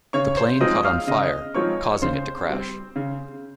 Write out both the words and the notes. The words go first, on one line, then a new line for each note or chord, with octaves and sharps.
The plane caught on fire, causing it to crash.
C#3 C#5 C#6
C5 C6
F3 G#3 C4 D#4 D#5 D#6
F5 F6
C#3 D#5 D#6
F3 G#3 C4 D#4 C#5 C#6
C#3 C5 C6
G3 C4
C#3